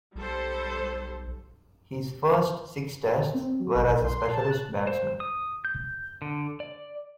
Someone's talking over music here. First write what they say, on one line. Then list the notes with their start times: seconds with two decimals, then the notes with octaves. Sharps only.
His first six Tests were as a specialist batsman.
0.15 B1 G3 A4 C5
3.34 C4
3.60 F#3
3.75 G1
3.88 B1
4.04 C6
4.29 A5
4.50 F#6
4.87 C5
5.20 D#6
5.65 G6
6.22 D3
6.60 D5